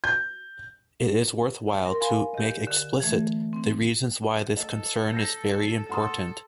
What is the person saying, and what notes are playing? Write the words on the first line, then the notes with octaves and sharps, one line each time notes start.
It is worthwhile to make explicit the reasons why this concern is very important.
G6
A#4 C6
F5 G#5 B5 C6
G4 D#5
D3
E3 A3
C4
A4 D#5
G6 A#6 C7
A4 F#5 C6 D#6